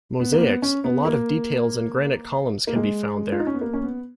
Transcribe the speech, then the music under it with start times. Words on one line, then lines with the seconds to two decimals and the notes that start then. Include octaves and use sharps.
Mosaics, a lot of details and granite columns can be found there.
0.20 B3
0.32 A#3
0.41 B3
0.62 C#4
0.84 B3
1.05 A#3
2.67 A#3
2.76 G#3
3.32 F4
3.39 D#4
3.47 C#4
3.54 B3
3.61 A#3
3.73 C#4
3.83 B3